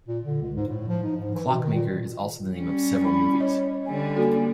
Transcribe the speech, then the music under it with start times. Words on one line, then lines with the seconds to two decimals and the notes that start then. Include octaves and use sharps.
"Clockmaker" is also the name of several movies.
0.08 A#2
0.24 D3
0.42 C#2
0.56 G#2
0.67 A2
0.87 F3
1.04 D#4
1.17 G#2
1.34 E3
1.47 B2
1.63 D#3
1.74 A#2
2.56 G3 C#4
3.04 E4 B5
3.40 C#5 D#5
3.86 D3 G3 G#5
4.16 A#3 F#4 A4